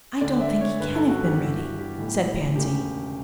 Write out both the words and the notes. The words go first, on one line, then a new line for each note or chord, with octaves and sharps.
"I don't think he can have been ready," said Pansy.
D2 D3 D5
E5
C#5
G1 G2 D3 B4
A4
F#4
G4
G1 G2 E3 G4
F#4
G4
B1 A2 E3
E1 D2 C#3 G4